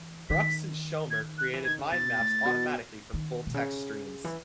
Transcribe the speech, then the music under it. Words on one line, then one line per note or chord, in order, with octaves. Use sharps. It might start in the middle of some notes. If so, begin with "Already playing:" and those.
Brucks and Schommer created mind maps automatically from full-text streams.
Already playing: E3
D#3 B6
G#6
F#6
E3
D#3 G#6
C#3
B2 A6
A2
B2
D#3
B2
C#3
E3